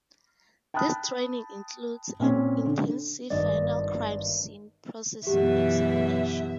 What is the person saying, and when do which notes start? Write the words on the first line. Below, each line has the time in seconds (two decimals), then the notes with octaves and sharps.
This training includes an intensive final crime scene processing examination.
0.74 G5 A5 B5 D#6 F#6
2.20 A#2 C4 C#4
2.66 D3
3.30 G#1 G2 D5 D#5
5.27 F#2 B2 E3 G4 E5